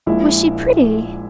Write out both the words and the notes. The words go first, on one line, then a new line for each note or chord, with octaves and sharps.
"Was she pretty?"
A#1 A#2 G#3 E4